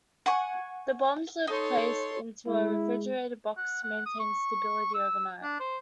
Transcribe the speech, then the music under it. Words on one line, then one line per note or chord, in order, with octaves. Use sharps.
The bombs were placed into a refrigerated box to maintain stability overnight.
F#5 G#5 C#6
D#4 A4 C#5 C6
G#3 E4
F#5
F#5
D#6
C#6
E6
D4
C5